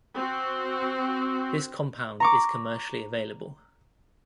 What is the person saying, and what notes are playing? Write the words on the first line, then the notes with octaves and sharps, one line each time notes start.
This compound is commercially available.
C4 F#4
A#5 C#6 D6